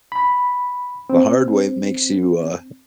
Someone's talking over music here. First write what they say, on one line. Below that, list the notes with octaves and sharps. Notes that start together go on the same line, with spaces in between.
the hard way makes you, uh,
B5
C4